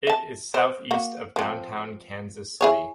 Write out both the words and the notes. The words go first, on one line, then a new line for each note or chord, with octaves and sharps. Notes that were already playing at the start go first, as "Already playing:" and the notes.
It is southeast of downtown Kansas City.
E5 A5
C5
A#3 F#4
F3 C4
E4 G#4 C#5